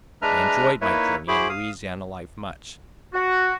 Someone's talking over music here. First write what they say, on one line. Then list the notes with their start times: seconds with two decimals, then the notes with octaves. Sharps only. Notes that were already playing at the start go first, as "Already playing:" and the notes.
I enjoy'd my journey and Louisiana life much.
0.22 G#3 D4 B4 E5 A#5 F6
0.81 A#3 D#4 E4 B4 C#5 E5
1.28 E4 F#4 G#4 C5 B5 D6
1.49 F5 D#6
3.13 F#4